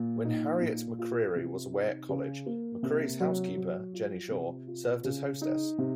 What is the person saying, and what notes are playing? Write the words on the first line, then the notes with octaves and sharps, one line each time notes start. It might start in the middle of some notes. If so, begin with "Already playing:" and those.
When Harriet McCreary was away at college, McCreary's housekeeper, Jennie Shaw, served as hostess.
Already playing: A#2
D#4
A#2
F4
C3
D#4
C#3
A#3
C3
F#3
F#3
F4
C3
F4
C#3
D#4
C3